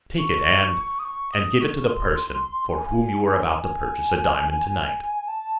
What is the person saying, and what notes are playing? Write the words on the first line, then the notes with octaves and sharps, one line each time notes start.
Take it, and--and give it to the person for whom you were about to purchase a diamond to-night.
C#6
D#6
C#6
D#6
C#6
C6
G#5
G#5
A5